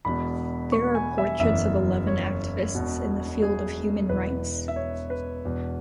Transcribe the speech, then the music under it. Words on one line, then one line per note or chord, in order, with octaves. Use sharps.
These are portraits of eleven activists in the field of human rights.
E1 E2 B2 B5
C#6
G#5
E5
F#1 E2 E3 E5
C#5
E1 E2 B2
G#4
E1 E2 E3 B4
E5
C#5
B4
E1 E2 B2